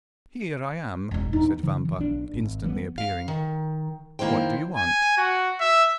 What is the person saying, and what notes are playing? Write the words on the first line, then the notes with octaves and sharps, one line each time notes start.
"Here I am," said Vampa, instantly appearing; "what do you want?"
E1 D#4
E2 D#4
C#3 E3 F3
E3
B1 D4
G#1
E3 G3 G#3 B3
F5
D#3
D#3 A#3 E4 C5 G5
G#5
F#4
E5